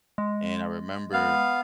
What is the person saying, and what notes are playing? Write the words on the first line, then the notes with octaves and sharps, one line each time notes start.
and I remember,
G#3
B3 F5